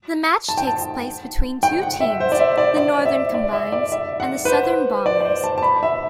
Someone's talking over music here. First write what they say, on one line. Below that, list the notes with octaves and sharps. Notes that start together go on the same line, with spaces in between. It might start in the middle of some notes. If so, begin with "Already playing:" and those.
The match takes place between two teams, the Northern Combines and the Southern Bombers.
A5
G5
A5
G5
F#5
E5
C5
D5
E5
D5
D5
E5
D5
E5
D5
E5
F#5
B4
C5
D5
D5
C5
A5
A5
B5
E5